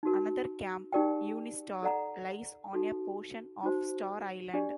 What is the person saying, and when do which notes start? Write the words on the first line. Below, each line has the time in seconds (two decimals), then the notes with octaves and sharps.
Another camp, UniStar, lies on a portion of Star Island.
0.03 D#4 F#4 A#4
0.92 D#4 G4 A#4 D5 G5
1.83 A4 D5 F#5 A#5
2.73 D#4 F#4 A4
3.63 D#4 F#4 C5
4.54 D4 G4 D5